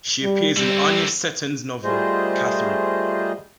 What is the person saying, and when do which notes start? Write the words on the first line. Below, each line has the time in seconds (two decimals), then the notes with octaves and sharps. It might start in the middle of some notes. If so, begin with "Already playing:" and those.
She appears in Anya Seton's novel, "Katherine".
0.23 G3
0.57 D3 G3 C4
1.84 G3 A3 F4 G#4 C5 D#5